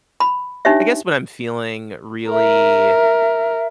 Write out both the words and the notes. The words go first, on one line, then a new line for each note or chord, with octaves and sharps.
I guess when I'm feeling really
B5
D4 D#4 G4 C#5 E5
A#4 E5